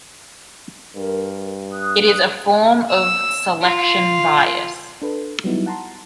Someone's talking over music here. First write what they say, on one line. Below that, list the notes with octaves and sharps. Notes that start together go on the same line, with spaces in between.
It is a form of selection bias.
G2 A#4
D#6 F#6
E6
F4
D4 A4 B4
F#3 G3 B3 D#4 E4
F#5 A5 A#5 C6